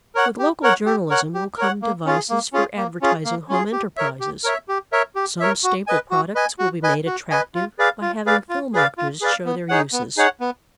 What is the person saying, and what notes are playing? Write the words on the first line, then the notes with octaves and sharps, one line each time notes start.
With local journalism will come devices for advertising home enterprises. Some staple products will be made attractive by having film-actors show their uses.
A#4 C#5 F#5
G4
A#4 C#5 F#5
G4
A#4 C#5 F#5
G4
A#4 C#5 F#5
A#3
C#4 F4 G#4
A#3
C#4 F4 G#4
A#3
C#4 F4 G#4
A#3
C#4 F4 G#4
G4
A#4 C#5 E5
G4
A#4 C#5 E5
G4
A#4 C#5 E5
G4
A#4 C#5 E5
F#4
B4 D#5 G#5
F#4
B4 D#5 G#5
F#4
B4 D#5 G#5
F#4
B4 D#5 G#5
F4
G#4 B4 D5 F5
F4
G#4 B4 D5 F5
F4
G#4 B4 D5 F5
F4
G#4 B4 D5 F5
B3
D#4 G#4 C#5 F#5
B3
D#4 G#4 C#5 F#5
B3